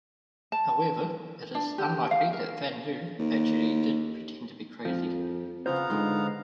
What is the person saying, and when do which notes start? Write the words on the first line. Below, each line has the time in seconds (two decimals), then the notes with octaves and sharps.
However, it is unlikely that Van Lew actually did pretend to be crazy.
0.52 A5
1.55 D4
1.78 G4
2.11 F5
2.33 A#4
3.19 D#2
4.85 F2 F3
5.66 C#3 B3 F4 C5 F5 A#5
5.90 G#2 D3 G#3 C6